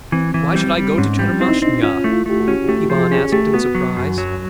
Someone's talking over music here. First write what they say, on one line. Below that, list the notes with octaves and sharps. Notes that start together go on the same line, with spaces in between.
"Why should I go to Tchermashnya?" Ivan asked in surprise.
E3 C4
E3
G3 C4
G3
G#2 C#4
G3
C4 E4
D#4
D4
C4 D#4
C#4 F4
A3 E4
F4
A3 G4
F#4
C#4
A3 G4
F3 G#4
C#4 G#4
A3 G4
B3 F#4
F#3
F#2
F#3